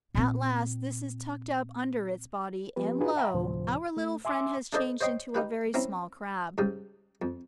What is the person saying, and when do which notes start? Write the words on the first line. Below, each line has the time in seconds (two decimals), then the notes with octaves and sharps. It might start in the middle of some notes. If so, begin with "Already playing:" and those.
At last this is tucked up under its body, and lo! our little friend has changed into a very small Crab.
0.15 A#2 C4
2.76 F3 B3 G4 B4
3.00 D4 F4 F#4 G#4 B4
3.16 E5 F#5 G5 A#5 B5
3.34 D2 A2 C3 F3 C5
3.97 A3
4.25 E5 G#5 C6 D6 E6
4.73 D4 D#4 A4 C5 D5 D#5
5.01 C5 C#5 D#5 G5 C6
5.35 D#4 G4 B4
5.74 C4 C#4 E4 A#5
6.58 G#2 C#3 G3
7.22 F2